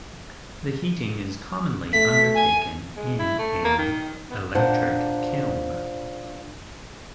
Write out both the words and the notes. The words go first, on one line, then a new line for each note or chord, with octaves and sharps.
The heating is commonly undertaken in an electric kiln.
A3 B6
G#5
G#3
E4
A3
A#3
D#3
B3
A#2 D4 C5 F#5